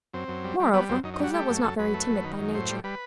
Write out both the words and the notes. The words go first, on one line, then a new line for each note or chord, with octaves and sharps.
Moreover, Cosette was not very timid by nature.
F#2 C4
F#2
G3
G3
G3 B3
F#2 C4
F#2 D#4
D#4
G3 F#4
A3 G4
F#2
F#2 A4
F#2 B4
A3
F#2
D#3
F#2
A2 C5
G3
G3 B4